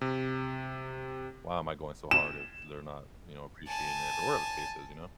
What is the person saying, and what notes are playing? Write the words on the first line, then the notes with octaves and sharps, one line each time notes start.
"Why am I going so hard if they're not, you know, appreciating it," or whatever the case is, you know?
C3
E7
G#5 A5